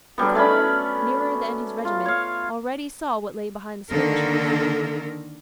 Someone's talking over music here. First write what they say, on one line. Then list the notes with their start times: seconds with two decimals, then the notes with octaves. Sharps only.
The Colonel, nearer than his regiment, already saw what lay behind the skirmishers.
0.18 D3 F#3 G3 B3
0.35 A3 C#4 D5 B5
1.85 F4
2.06 C#5 F5
3.90 D3 D#3 A#3 A4 A#4